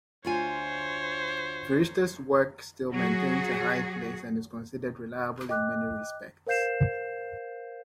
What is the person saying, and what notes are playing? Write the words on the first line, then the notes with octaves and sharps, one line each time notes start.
Firishta's work still maintains a high place and is considered reliable in many respects.
D2 F4 C5 C#5 G#5
F#3 F#4 G#4
D#5 G5 D6 F#6
A#4 C5 F5 G6 C7 E7